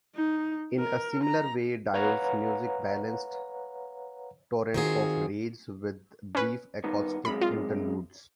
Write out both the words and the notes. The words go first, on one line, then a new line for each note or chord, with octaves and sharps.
In a similar way, Dio's music balanced torrents of rage with brief acoustic interludes.
D#4
A#4
A#5
B4 C#5 F5 F#5 A#5
D#3 C4 F4 F#4 G#4
C#4 B4
G2 D#3 B3
F#2 C3 G#3 B5
F4